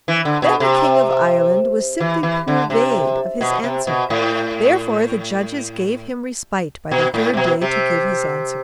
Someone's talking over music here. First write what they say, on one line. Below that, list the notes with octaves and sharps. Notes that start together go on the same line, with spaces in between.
Then the King of Ireland was simply purveyed of his answer; therefore the judges gave him respite by the third day to give his answer.
E3
D3
B2
C3
E3
E3
D3
C3
B2
C3
B2
A2
B2
A2
C3
B2
C3